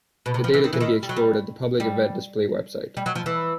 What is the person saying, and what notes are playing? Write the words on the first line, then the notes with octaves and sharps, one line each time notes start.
The data can be explored at the Public Event Display web site.
B2
C3
F3
E3
D#3
E3
D#3
G3
F#3
G3
G3
G3
F#3
F3
E3